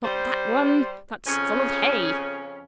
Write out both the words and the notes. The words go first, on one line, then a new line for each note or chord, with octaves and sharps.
Not that one--that's full of hay!'
G3 C5
F2 C#3 C#4